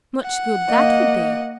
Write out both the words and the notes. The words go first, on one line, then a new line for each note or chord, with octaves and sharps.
"Much good that would be!"
F#5
A#3 D#5